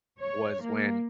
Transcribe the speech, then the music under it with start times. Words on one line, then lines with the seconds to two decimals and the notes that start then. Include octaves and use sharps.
was when,
0.19 C#5
0.63 A#3